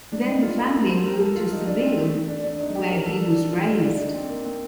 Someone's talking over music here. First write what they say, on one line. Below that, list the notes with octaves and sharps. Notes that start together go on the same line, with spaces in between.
Then the family moved to Seville, where he was raised.
D4
D#4
F4
A4
A#4
C5
A#4
A4
F4
D#4
D4
C4
A3
D4
D4
D#4
G4
A#4
A4
D4
F4
D#4
D4
D#4
C4
A#3
C4